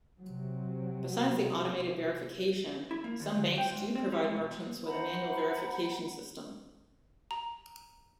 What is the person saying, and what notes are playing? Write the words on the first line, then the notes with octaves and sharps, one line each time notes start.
Besides the automated verification, some banks do provide merchants with a manual verification system.
C3 F#3
E4
A#3
D#2
D3
G5
G#2
C4
G3
G#3
B2
C5 F#5 A#5 B5
A#5